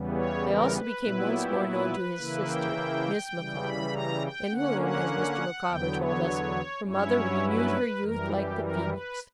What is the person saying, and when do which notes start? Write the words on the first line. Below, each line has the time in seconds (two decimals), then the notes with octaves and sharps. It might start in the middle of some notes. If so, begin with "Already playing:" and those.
I also became once more known to his sister, Miss Micawber, in whom, as Mr. Micawber told us, 'her mother renewed her youth, like the Phoenix'.
Already playing: E2 C#3 E3 G3 B3
0.14 C#5
0.43 A#4
0.73 B4
1.01 A#2 F#3 B3 E4
1.30 G4
1.61 B4
2.18 C#3 E3 A#3 E4
2.47 G5
3.35 C#3 E3 G3
3.63 B5
3.93 A#5
4.23 G5
4.51 D3 A#3 C#4 F#5
4.81 F#5
5.67 E2 D3 F#3 B3 G5
5.97 C#5
6.84 G2 F#3 C#4 E4 C#5
7.42 B4
8.01 F#2 E3 G3 A#4
8.30 G4
8.59 A#4
8.89 B4